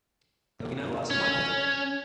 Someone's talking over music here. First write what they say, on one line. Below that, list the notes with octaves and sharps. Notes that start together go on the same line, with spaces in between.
The winner was Mark Fletcher.
C#4